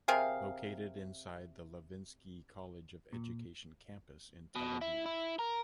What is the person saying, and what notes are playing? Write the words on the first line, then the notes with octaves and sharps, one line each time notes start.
Located inside the Levinsky College of Education campus in Tel Aviv.
C3 G#4 A#4 F5
A#2
B2
E4
E4
A#4